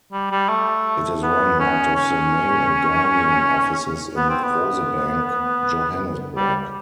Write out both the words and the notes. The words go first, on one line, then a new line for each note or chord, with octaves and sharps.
It is run out of the "Mail and Guardian" offices in Rosebank, Johannesburg.
G3
G3
A3
B3
C#4
C#4
B3
C4
B3
G3